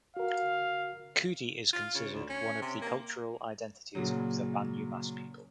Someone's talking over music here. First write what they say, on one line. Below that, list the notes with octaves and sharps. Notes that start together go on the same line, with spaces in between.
Kudi is considered one of the cultural identities of the Banyumas people.
F#4 A#4 F5
F4
C#3
D2
C#4
C3
A#3
A#2 C#3 F#3